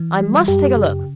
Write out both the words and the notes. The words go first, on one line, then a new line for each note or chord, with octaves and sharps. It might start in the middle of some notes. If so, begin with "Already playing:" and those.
I must take a look.
Already playing: E3
G3
F#2 G4
C#3